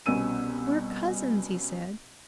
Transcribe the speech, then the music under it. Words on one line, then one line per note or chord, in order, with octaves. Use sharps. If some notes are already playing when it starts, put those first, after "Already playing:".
"We're cousins!" he said.
C2 B2 C#4 E6 D#7